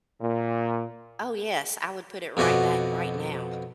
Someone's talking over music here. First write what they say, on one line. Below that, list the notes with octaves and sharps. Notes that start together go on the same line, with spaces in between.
Oh yes, I would put it right back, right now.
A#2
F2 B2 F#4 D5 D#5